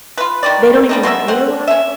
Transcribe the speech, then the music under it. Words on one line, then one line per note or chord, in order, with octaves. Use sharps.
they don't even realize
F4 B4
D#3 G3 D5
G3 D4 D#4
B2 A#3 C4 E5
C4 F#5
C#4 E5